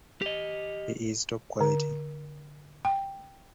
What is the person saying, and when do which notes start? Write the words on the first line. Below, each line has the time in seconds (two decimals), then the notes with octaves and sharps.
He is top quality.
0.22 G4 D#5
1.61 D3
2.85 G5